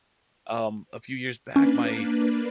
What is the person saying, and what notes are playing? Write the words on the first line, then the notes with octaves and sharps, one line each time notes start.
um, a few years back, my,
A#3 C#4 D4 B4